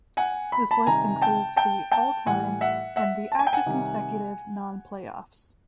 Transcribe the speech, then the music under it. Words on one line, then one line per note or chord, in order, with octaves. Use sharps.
This list includes the all-time and the active consecutive non-playoffs.
F#5 G#5
B5
A5 B5
C3 D#3 G3 G#5 A#5
G5 A5
G5 A5
G5 A5
A2 E3 G3 F#5 G#5
E5 F#5
E5 F#5
A5
G#5
G5
F#5 G#5
C3 D#3 G3